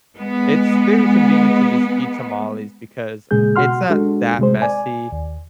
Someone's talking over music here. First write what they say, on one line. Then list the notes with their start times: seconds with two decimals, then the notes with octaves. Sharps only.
It's very convenient to just eat tamales because it's not that messy.
0.18 G#3 B3
3.31 A#2 C#3 G#3 G#4 G6
3.56 B2 F#4 F#5 C6 F6
3.90 G#3 D4 F#4 A4
4.39 C3 G#3 C5
4.62 D5 G#5
5.12 D#2